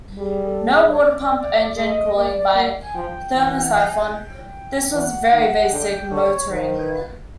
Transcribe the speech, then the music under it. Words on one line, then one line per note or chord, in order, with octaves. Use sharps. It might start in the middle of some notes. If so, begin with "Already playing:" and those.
No water pump, engine cooling by thermosyphon - this was very basic motoring.
G3 G#4
A4
G#4
C#5
D5
D5
G#3 D#5
A#3 D5
A#3
G#5
F3 G5
E3 F#5
F#5
G#5
G5
E3 F#5
D#3 F#5
D3 G5
D3 C#5
D#3 C5
B4